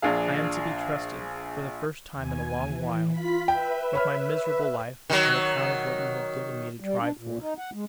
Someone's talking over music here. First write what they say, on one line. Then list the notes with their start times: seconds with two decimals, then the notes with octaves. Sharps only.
I am to be trusted, for the first time in a long while, with my miserable life, on account of what you have given me to try for.
0.02 A#1 D4 G#4 F5
2.14 D#2 G#5
2.63 E3
3.10 F4 B5 B6
3.48 B4 E5 G5
3.93 C#5 B5 F6
5.10 D#3 F#3
6.80 G3
7.01 D4
7.17 A#2
7.40 D#4
7.58 F#5
7.73 G#3